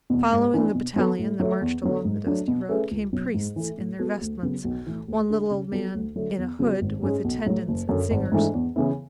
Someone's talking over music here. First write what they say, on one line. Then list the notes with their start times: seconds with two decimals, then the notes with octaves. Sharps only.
Following the battalion that marched along the dusty road came priests in their vestments--one little old man in a hood with attendants and singers.
0.10 E2 B2
0.32 G#2
0.53 E3 B3 D4
0.75 B2
0.96 F#3 B3 F#4 A4
1.19 A2
1.40 F#3 A3
1.61 E2
1.83 D3 F#3 B3
2.05 G#2
2.27 F#3 A3 D4
2.48 B2
2.69 A3 C#4 G#4 B4
2.91 C#2
3.13 B2 F#3
3.34 G#2
3.56 E3 A3
3.78 A2
3.99 G#3 B3 F#4 A4
4.21 D2
4.43 C#3 F#3 B3
4.64 B1
4.86 A2 E3
5.08 D2
5.30 D3 A3 D4 G#4
5.50 C#3
5.72 F#3 B3 F#4 A4
5.94 D2
6.16 D3 F#3 A3
6.37 E2
6.59 C#3 F#3 B3 F#4
6.81 G#1
7.02 G#2 G#3 C#4 G#4
7.24 B1
7.46 A2 F#3
7.68 F#1
7.89 F#2 D3
8.11 G#1
8.32 G#2 E3 A3 D4
8.54 E2
8.76 C#3 E3 B3 E4